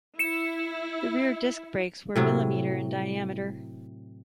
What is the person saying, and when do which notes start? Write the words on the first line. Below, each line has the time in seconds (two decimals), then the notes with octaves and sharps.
The rear disc brakes were mm in diameter.
0.19 E4 C#7 E7
2.16 A2 C3 F#3